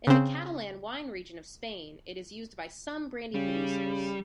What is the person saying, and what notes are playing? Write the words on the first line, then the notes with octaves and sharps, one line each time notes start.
In the Catalan wine region of Spain it is used by some brandy producers.
C#3 C4
C#3 G3